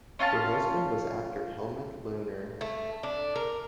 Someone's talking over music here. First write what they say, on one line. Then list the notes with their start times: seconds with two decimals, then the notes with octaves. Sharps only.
Her husband was actor Helmuth Lohner.
0.19 C#4 F4 F5 A5
2.61 A3
3.03 D4
3.36 A#4